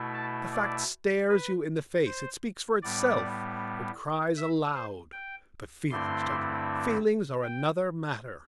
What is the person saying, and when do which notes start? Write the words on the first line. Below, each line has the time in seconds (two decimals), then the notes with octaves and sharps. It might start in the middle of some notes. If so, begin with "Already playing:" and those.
The fact stares you in the face, it speaks for itself, it cries aloud, but feelings, gentlemen, feelings are another matter.
Already playing: B2 A3 E4
0.14 A5
0.52 D5
1.29 B4
2.06 C5
2.82 A2 G3 B3 D5
4.37 E5
4.75 C5
5.12 G5
5.90 G2 D3 A3 C4 E4 C6
7.43 G5